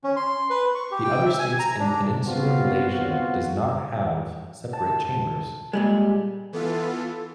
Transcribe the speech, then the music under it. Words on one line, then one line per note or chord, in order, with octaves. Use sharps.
The other states in Peninsular Malaysia does not have separate chambers.
C#4
C6
B4
C#6
G4
G5
E5
G#5
A#5
D4
B3 C4 F4 F#4
A5
A#2 G3 G#3
E3 B3 F4 A4